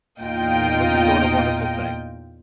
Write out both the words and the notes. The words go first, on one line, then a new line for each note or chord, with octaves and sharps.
But you're doing a wonderful thing.
E2 A#2 D#4 F4 D#5 G5